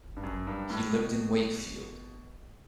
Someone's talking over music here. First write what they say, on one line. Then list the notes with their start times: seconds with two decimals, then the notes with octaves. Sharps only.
He lived in Wakefield.
0.17 G2
0.23 F#2
0.47 G2
0.70 A2
0.93 B2